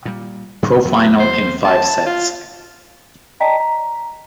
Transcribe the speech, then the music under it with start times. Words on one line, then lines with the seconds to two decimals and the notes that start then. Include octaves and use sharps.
Pro final in five sets.
0.05 A#2 G3
0.63 G#2 C#3 F#3
0.85 E2 F#3 B3
1.20 C5
1.64 A5
2.06 F4
3.40 D5 D#5 G5 A5 A#5 B6
3.60 A#5